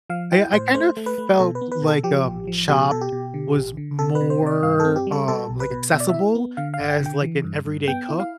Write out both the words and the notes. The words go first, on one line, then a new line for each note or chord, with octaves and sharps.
I I kind of felt like, um, Chopped was more, uh, like, accessible as, like, an everyday cook,
F3 F5
E4 G5
A2 C5
A3 C5
A3
B4
A3
B2 A4
B4
B3
B4
B2
A4
F3 G4
A1
F3
B2 G4
B2 A4
G4
B2
D3
A1
D3
C3 A4
B4
C3
C5
C3 D5
G2 F5
A4
C4
G4
G3
A4
B2 A4
B1
B4
B2
B2 E5
D5
E4 E5
B3
D3 F5
F5
G1
G5
D3
G5
E3
G2
G2
B3 G5
E4
F5